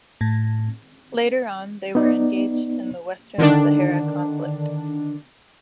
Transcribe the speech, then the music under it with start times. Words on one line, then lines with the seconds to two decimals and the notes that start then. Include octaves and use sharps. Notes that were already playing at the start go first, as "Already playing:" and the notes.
Later on, they were engaged in the Western Sahara conflict.
0.21 A2
1.95 B3 D#4 D5
3.38 D3 D#3 D4